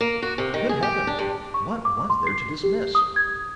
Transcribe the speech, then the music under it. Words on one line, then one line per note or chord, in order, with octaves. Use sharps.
Good Heaven, what was there to dismiss!
A#3
F#4
C3
D#3
G#4
G4
D4
G2
C#6
D6
C6
C7
G4
D#6
G#6